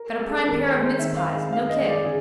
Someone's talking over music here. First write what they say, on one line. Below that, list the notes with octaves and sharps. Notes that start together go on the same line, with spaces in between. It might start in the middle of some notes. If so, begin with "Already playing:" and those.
Got a prime pair of mincepies, no kid.
Already playing: A#4
G#3 C4 A4
D#3 A#4
C5
G#3 C4
C5
D#3 E5
F5
G#3 C4
D#3 F5
D#5
G#3 C4
D5
D3 G#4